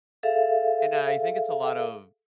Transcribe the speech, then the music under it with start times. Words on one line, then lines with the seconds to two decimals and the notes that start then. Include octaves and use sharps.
and I think it's a lot of
0.23 G#4 A4 E5 F5